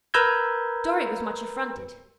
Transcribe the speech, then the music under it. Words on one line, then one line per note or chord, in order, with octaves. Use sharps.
Dorry was much affronted.
A#4 B4 A#5 E6 G6 G#6